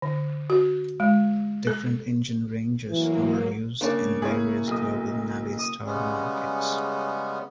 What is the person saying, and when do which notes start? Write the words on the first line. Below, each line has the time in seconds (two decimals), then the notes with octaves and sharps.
Different engine ranges are used in various global navistar markets.
0.02 D3
0.50 F#4
1.00 G#3
1.67 A4
2.89 E3 F#3 A#3
3.81 C#3 A#3 D4 C#5
4.22 A#3 E4 G#4 C#5
4.67 B1 D#6
5.59 D#6
5.84 C#3 G3 G#3 B3 C#4